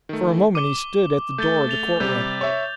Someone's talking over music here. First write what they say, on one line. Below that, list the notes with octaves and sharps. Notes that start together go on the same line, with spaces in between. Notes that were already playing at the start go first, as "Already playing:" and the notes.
For a moment he stood at the door of the court-room.
D#3 A3
D6 D#7 G7
A3 G6 A6 G7
A6 F7 G7
C3 G3 G6 F7
C#5 E5